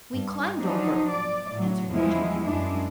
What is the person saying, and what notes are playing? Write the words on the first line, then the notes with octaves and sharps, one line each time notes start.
"We climbed over," answered Ojo.
G2
F3 F#3 D4 D#4
D5
A2 F#3
E2 G2 F3 G#3 E4
F#2 G#3 D4 E4